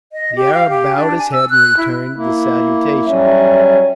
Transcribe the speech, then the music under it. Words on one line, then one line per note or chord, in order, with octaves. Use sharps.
The Arab bowed his head and returned the salutation.
D#5
G4
F5
G4
D4
G#5
E6
F#6
E4
A#3 E4
F#3 G3 C#4 E5